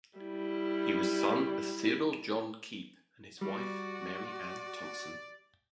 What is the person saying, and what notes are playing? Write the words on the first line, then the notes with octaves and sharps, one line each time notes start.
He was son of Theodore John Keep and his wife Mary Ann Thompson.
G3 E4
G3 F#4 D5